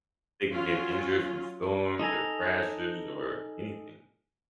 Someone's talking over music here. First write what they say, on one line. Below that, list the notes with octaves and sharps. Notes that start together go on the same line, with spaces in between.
They can get injured from storms or crashes or anything.
F#3 C#4 F4
D#4 A4 G#5 A#5